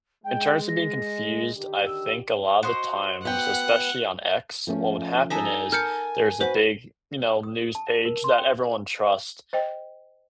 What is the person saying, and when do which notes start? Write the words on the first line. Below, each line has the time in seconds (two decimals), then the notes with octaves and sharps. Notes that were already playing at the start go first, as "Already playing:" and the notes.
in terms of being confused, I think a lot the times, especially on X, what would happen is, there's a big, you know, news page that everyone trust,
0.24 G#3 G5
0.68 A#6
1.55 D3 D#3 G4
1.86 E6
2.63 F#4 C5 D#5
3.25 B3 F#5 G5
4.67 F3 A3 C#4
5.30 D#4 A4 E5 G#5
5.72 A#4 A5 F6 G6 C#7
6.41 F#4 B4 C5
7.43 D#6
7.75 A5
8.05 A#4
8.24 C6
8.38 G5
9.53 C5 D#5 G5